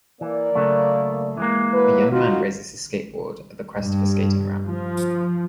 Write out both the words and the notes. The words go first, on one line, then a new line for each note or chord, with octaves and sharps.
A young man raises his skateboard at the crest of a skating ramp.
E3 A#3 D5
C#3 F#3 A3
E3 G#3 A#3
F#3 E4 B4
D#4 F4 F#4
G2
F3